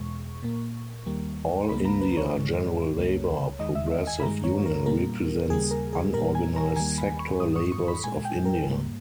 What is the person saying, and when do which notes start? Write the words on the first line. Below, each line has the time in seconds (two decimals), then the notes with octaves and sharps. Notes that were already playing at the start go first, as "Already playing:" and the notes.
All India General Labour Progressive Union represents Un-Organised Sector Labours of India.
Already playing: E2 B2 G#3 C#6
0.43 A#2 A#3
1.06 D#2 D#3 G3 A#3
1.69 C#2 C#3 G3 A#3 B5
1.85 A#5
2.01 B4
2.17 C#5
2.33 G#2 D#3 G#3
2.96 C#2 C#3 G3 A#3
3.59 D#2 D#3 G#3 D#5
3.75 E5
3.91 E5
4.07 G#5
4.20 B5
4.23 G2 D#3 G#3 A#5
4.44 C#5
4.66 A#4
4.86 A#2 G3 A#3 A#4
5.50 D#2 C#3 G3 A#3 G#4
5.71 A#4
5.93 G#4
6.14 A#2 G3 A#3 A#4
6.35 G#5
6.56 A#5
6.76 D#2 D#3 G3 A#3 G#5
6.98 B5
7.19 C#6
7.40 G#2 E3 G3 D#6
7.56 C#6
7.72 C#6
7.88 B5
8.04 A#2 G#3 G#5
8.25 G5
8.45 A#4
8.66 G#2 G3 A#3